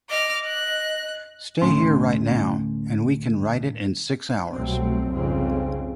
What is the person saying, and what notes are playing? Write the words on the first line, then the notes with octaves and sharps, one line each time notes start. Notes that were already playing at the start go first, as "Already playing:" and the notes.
Stay here right now and we can write it in six hours.
D#5 D6 F6
F#6
D2 A2 C#4 C6
C2 B2 F#3 A3 C4
C2 F2 G#2 C#3 C4